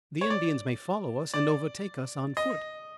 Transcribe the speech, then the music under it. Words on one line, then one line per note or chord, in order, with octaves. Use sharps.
"The Indians may follow us and overtake us on foot."
C#5
D5
D5
D#5